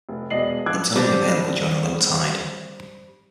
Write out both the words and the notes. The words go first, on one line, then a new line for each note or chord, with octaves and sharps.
It is only available during low tide.
F1
E1 D5 D#5 C7 F#7
F3 D6 E6 F#6 G#6
G3 C4 D4